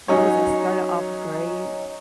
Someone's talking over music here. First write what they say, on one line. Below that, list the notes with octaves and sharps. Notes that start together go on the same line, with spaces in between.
movies that started off great.
F#3 C#4 D#4 C#5